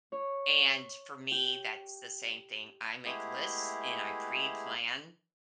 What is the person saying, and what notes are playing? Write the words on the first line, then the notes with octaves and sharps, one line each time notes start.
and for me, that's the same thing, I make lists, and I preplan
C#5
G4
G#3 A3 B3 E4 G4 G#4